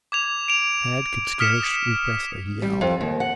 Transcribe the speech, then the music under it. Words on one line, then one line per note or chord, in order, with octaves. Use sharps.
Tad could scarce repress a yell.
D6 G#6 F7
D7 F7
D#6 F6 B6 C#7 E7
G3
F2
D#2
F#5